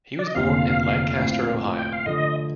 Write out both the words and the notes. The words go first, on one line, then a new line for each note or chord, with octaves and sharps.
He was born in Lancaster, Ohio.
D5
D#5
F1 D#2 D3 F3 C4 F5
A2 F3 C4 F4
G5
F5
D3 F3 A3 D#5